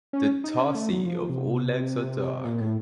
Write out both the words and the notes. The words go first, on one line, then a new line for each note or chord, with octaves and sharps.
The tarsi of all legs are dark.
C#4
D#4
C#4
A3
F#3
F3
C3
A#2
A2